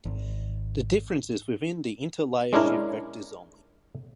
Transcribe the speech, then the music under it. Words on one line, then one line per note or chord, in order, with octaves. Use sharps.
The difference is within the interlayer shift vectors only.
G#1
G#3 C#4 D4 E4 A#4